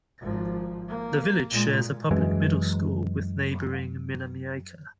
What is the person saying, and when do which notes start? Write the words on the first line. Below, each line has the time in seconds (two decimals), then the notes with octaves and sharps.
The village shares a public middle school with neighboring Minamiaika.
0.21 G#1 F3
0.88 A#3
1.51 A#2 G#3
2.11 F#2 E3 G#3